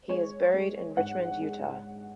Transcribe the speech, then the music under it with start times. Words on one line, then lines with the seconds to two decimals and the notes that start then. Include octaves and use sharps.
He is buried in Richmond, Utah.
0.09 G#3 C#5
0.54 G#3
0.97 G#2 F#5
1.41 G#3